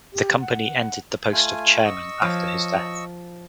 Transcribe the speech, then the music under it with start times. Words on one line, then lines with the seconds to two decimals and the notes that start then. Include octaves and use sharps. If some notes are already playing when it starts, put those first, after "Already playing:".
The company ended the post of chairman after his death.
0.13 G4
0.40 F#5
1.33 A3 F4 G#5
1.85 D#5 C#6 E6
2.22 F3 C#5 F5